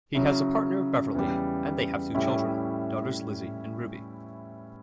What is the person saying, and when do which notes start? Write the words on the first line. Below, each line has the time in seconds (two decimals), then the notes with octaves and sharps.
He has a partner Beverly, and they have two children, daughters Lizzie and Ruby.
0.15 C#3 F#3 C#4 E4
1.15 E2 C#3 G3
2.15 A2 G3 C#4 E4